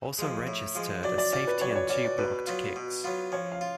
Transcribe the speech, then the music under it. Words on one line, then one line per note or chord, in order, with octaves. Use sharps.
Also registered a safety and two blocked kicks.
F3 G#3
A2
F3 G#3
F#3 D5
D5
C#4 F#4 D5
B4
F#3 C#5
D5
C#5
C#4 F#4 D5
D5
B2 B4
F#3 B3 F4
B2
F#3 B3 F4
F3 C#5
F5
F4